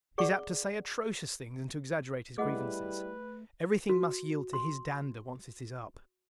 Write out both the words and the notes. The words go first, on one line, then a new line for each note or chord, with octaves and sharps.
He is apt to say atrocious things and to exaggerate his grievances. Everything must yield to his "dander" once it is up.
G#4 D5 F#5 C#6
G3 A3 E4 G#4 B4 D#5 F#5
F#4
C6